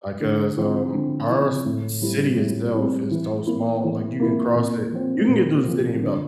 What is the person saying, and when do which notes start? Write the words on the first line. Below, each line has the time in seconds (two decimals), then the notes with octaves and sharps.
like, 'cause, um, our c city itself is so small, like, you can cross it you can get through the city in about,
0.20 D3
0.57 F3 C4 E4
0.93 D3
1.29 F3 C4 E4
1.65 A2
2.01 G3 C4 E4
2.38 A2
2.74 G3 C4 E4
3.11 E3
3.47 A#3 E4
3.84 E3
4.20 A#3 E4
4.55 A#2
4.92 F3 C4
5.28 A#2
5.65 F3 C4
6.01 D3